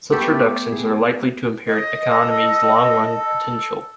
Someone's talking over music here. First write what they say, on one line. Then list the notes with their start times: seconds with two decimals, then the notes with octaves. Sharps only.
Such reductions are likely to impair an economy's long-run potential.
0.12 A3 B3 G4 A4
0.72 G#4
1.68 D#5
2.07 A4